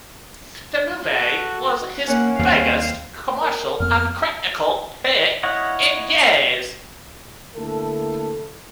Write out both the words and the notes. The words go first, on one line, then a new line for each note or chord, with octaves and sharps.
The movie was his biggest commercial and critical hit in years.
F#4 A4
A#3 C#4 F#5
D#2 G3 A#3 C4 F5
A#4
F2 B3 F6
E4 C#5 D#5 F5 F#5
D2 A#3 E4 A4